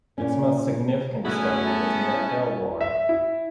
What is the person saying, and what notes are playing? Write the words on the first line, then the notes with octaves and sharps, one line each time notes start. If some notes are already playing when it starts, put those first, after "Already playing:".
Its most significant discovery was made at Belvoir.
A#2 C#4
A2 D3 F#3 B3 C#4 E4 F#4 G#4
A5
E5
E4